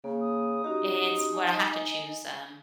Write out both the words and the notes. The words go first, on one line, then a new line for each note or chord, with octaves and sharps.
it's well, I have to choose, um,
C#3 A#3
D#6
C#4 D#4 F#4 G4
G#5